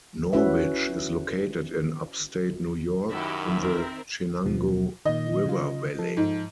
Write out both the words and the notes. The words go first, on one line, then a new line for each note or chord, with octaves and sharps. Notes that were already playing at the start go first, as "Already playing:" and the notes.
Norwich is located in upstate New York, in the Chenango River valley.
C#4 E4 F#4 B4 E5
F#2 D#3 E4 F#4 G4 E5 B5
C4 A#4
D#2 B2 F3
A#2 D#3 D#5
C#3 F4
F3 A4
G#2